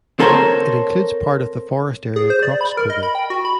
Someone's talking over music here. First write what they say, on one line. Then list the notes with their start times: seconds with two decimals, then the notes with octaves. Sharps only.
It includes parts of the forest area Krokskogen.
0.20 C4 A4 A#4 C5 C#5
2.16 G#4
2.30 C5
2.43 D5
2.61 B5
2.77 A#4
2.90 D#5
3.03 B5
3.15 G5
3.30 F#4
3.45 B5